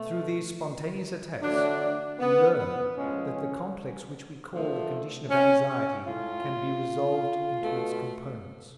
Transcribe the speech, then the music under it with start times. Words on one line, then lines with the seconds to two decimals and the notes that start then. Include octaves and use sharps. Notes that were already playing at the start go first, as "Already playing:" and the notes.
Through these spontaneous attacks we learn that the complex which we call the condition of anxiety can be resolved into its components.
Already playing: B2 A3
1.42 D3 F#3 A3 D4
2.20 B3
2.58 B3
2.97 A2 F3 G#3 C#4
3.36 C#4
4.52 D3 F3 A3
5.29 C#4
5.68 C#4
6.06 A2 G#3 F4
7.61 B2 A3